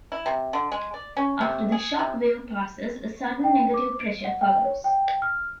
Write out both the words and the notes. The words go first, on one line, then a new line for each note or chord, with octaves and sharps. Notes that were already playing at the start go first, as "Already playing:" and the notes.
After the shock wave passes, a sudden negative pressure follows.
E4
C3
D3
G#3
D5
C#4
C3
G#4
C3
G5
D6
D7
F#5
G5
C#5
G5
F6